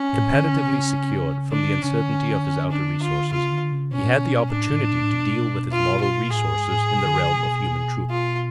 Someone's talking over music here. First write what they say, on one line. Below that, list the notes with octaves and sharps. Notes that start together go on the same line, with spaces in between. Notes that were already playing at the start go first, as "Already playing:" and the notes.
Comparatively secured from the uncertainty of his outer resources, he had the opportunity to deal with his moral resources in the realm of human truth.
Already playing: C#4
A2
D3
C#3
C#3
D3 D4
C#3
C#3 C#4
D3
D4
F4
C#3 F4
D3
C#3
B2 C#4
A2
B2
A2 D4
A2
B2
A2
B2
F4
F4
A2 G#4
G#2
A2
B2
D3
C#3
B2
F4